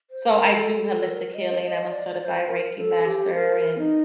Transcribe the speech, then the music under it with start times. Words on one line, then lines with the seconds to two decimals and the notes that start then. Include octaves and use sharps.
So, I do holistic healing. I'm a certified Reiki master and
0.11 C5
0.32 A#4
0.53 A4
0.76 A4
1.05 A#4
1.33 D#5
1.63 D#5
1.91 D5
2.20 D5
2.25 C5
2.48 A#4
2.78 A4
3.06 G4
3.35 A#4
3.78 D#4